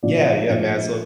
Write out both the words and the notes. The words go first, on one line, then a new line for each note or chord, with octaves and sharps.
Yeah, yeah, Maslow.
A#1 D5
A#1